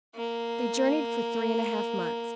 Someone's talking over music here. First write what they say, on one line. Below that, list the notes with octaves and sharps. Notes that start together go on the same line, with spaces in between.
THEY journeyed for three and a half months.
A#3